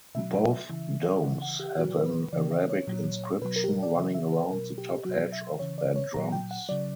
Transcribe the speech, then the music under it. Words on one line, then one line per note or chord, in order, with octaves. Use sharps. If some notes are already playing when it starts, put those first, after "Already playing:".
Both domes have an Arabic inscription running around the top edge of their drums.
B2 F#3 E5
C#3 E3
C#3 E3 F#5
F#5
G4
A#2 F#3 F#4
A#4
B4
C#3 E3 D5
E5
C#5
A#2 F#3
B2 F#3 B4
A#4
G4
A#4
D5
C#3 E3 E5
E5
B4
B2 F#3 A#4
G4
B2 F#3 F#4
E5
C#3 E3 C#5
D5
C#5
A#2 F#3 A#5
G5
F#5
C#3 F#3 D5